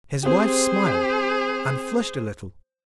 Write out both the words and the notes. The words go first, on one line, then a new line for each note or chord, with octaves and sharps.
His wife smiled, and flushed a little.
C4 G4 G#4 C5